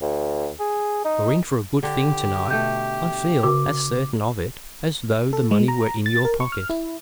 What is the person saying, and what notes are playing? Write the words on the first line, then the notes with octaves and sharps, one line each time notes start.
"You're in for a good thing to-night, I feel as certain of it as though the money were in your pocket."
D2
G#4
D#4
D3 G4
B2 A3 G6
C#3 F#4 A#4 D6
A4
G#3
A#5
A6
A#4
C#6
F6
E4